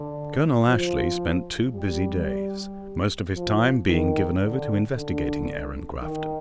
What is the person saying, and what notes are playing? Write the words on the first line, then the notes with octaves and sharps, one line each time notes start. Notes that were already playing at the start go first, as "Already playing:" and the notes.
Colonel Ashley spent two busy days, most of his time being given over to investigating Aaron Grafton.
Already playing: D3
F3
G3
F3
D#3
D3
D3
D#3